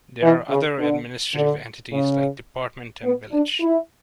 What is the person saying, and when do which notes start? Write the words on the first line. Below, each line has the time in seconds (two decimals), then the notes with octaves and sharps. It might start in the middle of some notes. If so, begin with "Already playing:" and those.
There are other administrative entities like department and village.
0.22 E3
0.49 C#3
0.79 D3
1.34 D3
1.91 C#3
3.03 B3
3.32 D4
3.59 E4